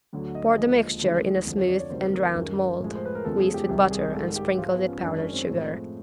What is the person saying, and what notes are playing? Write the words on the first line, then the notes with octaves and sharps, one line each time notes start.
Pour the mixture in a smooth and round mold, greased with butter and sprinkled with powdered sugar.
D2 D3 F#3
D#5
D#2 D3 F3 G#3 D#5
D2 C#3 E3 G#3
F2 D3 F3
C#5
D5
C#5
D2 C3 D#3 G3 C5
A#4
F#2 D#3 G#3
A2 F3 G#3
C5
B4
A#4
E2 C#3 F3 G#3 A4
G#4
G4
C2 C3 D#3 G3 G4
G#4
G#2 D#3 G3 A4
G4
G#2 F3 G#3 F4
B3
C#4
F#2 D#3 G#3 D4
C#4
C4
A2 F3 G#3